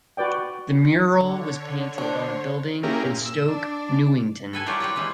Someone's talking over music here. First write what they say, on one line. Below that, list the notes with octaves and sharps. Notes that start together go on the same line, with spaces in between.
The mural was painted on a building in Stoke Newington.
F#4 B4 D5 G5
D3 C#5
D4 C5
A#3 C#4 E4 G4 G#4 A#4
A#2
E6
D4
A4 B4 G#5
F#3 G3 E4 F4 G4 A#4
G3 B4 C#5
E3 G#3 A#3